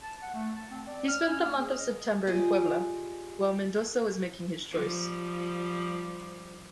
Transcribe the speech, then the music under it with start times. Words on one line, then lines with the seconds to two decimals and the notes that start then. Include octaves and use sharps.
He spent the month of September in Puebla, while Mendoza was making his choice.
0.02 A5
0.22 F#5
0.34 A3
0.57 A5
0.70 C4
0.87 D5
1.08 F6
1.29 C#4
1.45 A#3
1.59 G#4
1.78 D#5
2.27 F4 G4 G#4 D5 D#5
4.71 F3 G3